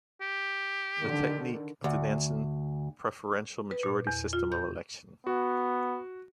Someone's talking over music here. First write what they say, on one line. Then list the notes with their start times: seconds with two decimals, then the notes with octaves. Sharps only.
The technique of the Nanson preferential majority system of election.
0.21 G4
1.01 D3 D#3
1.84 D2
3.71 B4
3.83 A#2
4.07 E2
4.33 F4
4.52 G6
5.27 B3 F#4